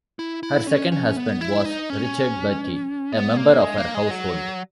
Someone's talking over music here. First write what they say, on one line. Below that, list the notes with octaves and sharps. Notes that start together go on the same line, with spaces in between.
Her second husband was Richard Bertie, a member of her household.
E4
E4
C#4
C#4
B3
E4
D#4
C#4
B3
A#3
G#3
A#3
G#3
F#3